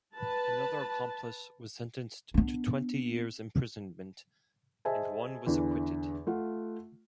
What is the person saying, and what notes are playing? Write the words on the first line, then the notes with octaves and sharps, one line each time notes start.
Another accomplice was sentenced to twenty years imprisonment and one was acquitted.
B4 A5
B3 D4
G#4 C5 D#5 E5 G#5 A5
E2 D3 E3
A3 F4 F#5